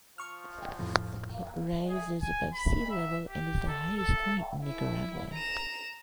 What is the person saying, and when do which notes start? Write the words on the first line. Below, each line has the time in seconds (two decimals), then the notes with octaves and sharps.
It rises above sea level and is the highest point in Nicaragua.
0.18 F3 C#6 F6
0.79 F2 A2
1.89 G#4
2.22 G#5
2.54 B5
2.90 E5
3.29 G4
3.68 A4
3.97 A4
4.63 E4
5.34 A#5 E7